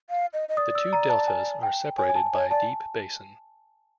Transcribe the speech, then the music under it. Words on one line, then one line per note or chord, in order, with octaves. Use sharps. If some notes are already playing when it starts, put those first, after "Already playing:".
The two deltas are separated by a deep basin.
F5
D#5
D#5
D5 D#6
E6
A#5
A5
G#5
G5
C#5 G#5
G#5
A5
C#5 G#5
D5 A5